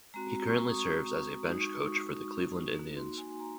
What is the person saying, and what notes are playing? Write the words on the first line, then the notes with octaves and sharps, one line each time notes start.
He currently serves as a bench coach for the Cleveland Indians.
G#3 C4 F#4 A#5
C#6
D#6
C#6
G#3 D#4 F#4
D#6
C#6
D#6
A#3 D#4 F#4
C6
G#5
A#5